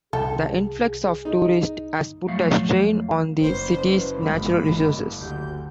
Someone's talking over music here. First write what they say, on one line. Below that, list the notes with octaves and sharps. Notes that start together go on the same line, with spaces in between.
The influx of tourists has put a strain on the city's natural resources.
C2 G#4 A4 G5
D#4
F2 F#3 A3 F5
F#1 C#4 B4 C5
G1 G#3 A#3 B5
D2 G4 G6